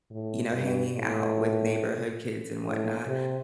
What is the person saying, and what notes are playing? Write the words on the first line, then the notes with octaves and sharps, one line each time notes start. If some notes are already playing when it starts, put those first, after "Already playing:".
you know, hanging out with neighborhood kids and whatnot,
A2
G2
A2
A2
C3